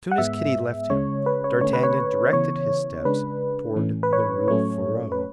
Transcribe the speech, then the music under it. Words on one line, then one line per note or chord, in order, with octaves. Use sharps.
Soon as Kitty left him, d'Artagnan directed his steps toward the Rue Ferou.
F#5
G#2 G#3 B3 E5
C#3 G#3 C#4 C#5
B4
C#5
D3 A3 C#4 C#5
B4
C#5
C#3 E3 B3 C#5
C#3 G#3 D4 B4
A2 E3 A3 C#4
B4
C#5
A2 F#3 A3 C#4 C#5
B4